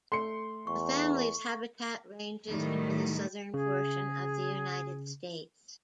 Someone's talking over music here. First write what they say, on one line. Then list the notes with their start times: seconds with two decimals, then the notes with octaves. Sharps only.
The family's habitat ranges into the southern portion of the United States.
0.12 A3 C6 C#7
0.67 E2 C#6
2.49 A2 D#3 F#3 G3 A3
3.54 C#3 G#4